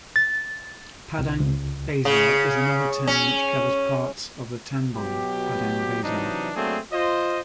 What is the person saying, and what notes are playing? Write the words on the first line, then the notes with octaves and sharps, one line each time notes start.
Padang Besar is another town which covers parts of the "tambon" Padang Besar.
A6
C2
C#2
C#3
C#4
B2 F#3 B3 G4
C3 E3 F#3 D4 D#4
F#3 A3 A#3 C4 D4 G#4
F4 C5 D#5